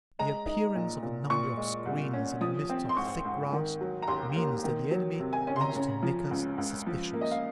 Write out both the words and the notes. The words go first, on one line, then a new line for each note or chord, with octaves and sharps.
The appearance of a number of screens in the midst of thick grass means that the enemy wants to make us suspicious.
G#3 A#5
D#4
A#2
A#2
A#2 C#6
G#3
C2
C#4
F3 D#6
C4
C6
G#2 C#6
G#2
D#3
F#3
A#5
D#2 C6
A#3
D#3
F#3
C3
G#5
C#4 G#5
C6
A#5
C#3
F3
C#2
C#2
F3
A#3
D#5
F5